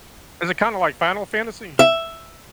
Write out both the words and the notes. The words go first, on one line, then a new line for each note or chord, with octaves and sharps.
Is it kinda like Final Fantasy?
E5